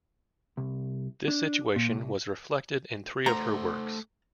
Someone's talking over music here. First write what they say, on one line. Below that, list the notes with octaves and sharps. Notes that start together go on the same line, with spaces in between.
This situation was reflected in three of her works.
C2
D4
A#2
C2
A3 C5 A#5